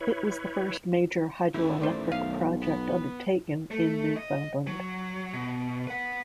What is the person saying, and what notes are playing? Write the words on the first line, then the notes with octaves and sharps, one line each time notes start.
It was the first major hydroelectric project undertaken in Newfoundland.
E4 B4 C#5
A1 D#3 A3 E4
A1 C5 D5
B1 F5
B3
A3
D#5
F#3
B2
B4 F#5